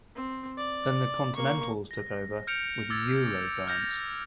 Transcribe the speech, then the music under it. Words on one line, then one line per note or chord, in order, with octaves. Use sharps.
Then the continentals took over with "Euro Dance".
C4
D5
A#3 C#6
A#6
F6 G6 C#7 D7 F7
D6 E6 G#6 A6
F6 G6 A#6 F7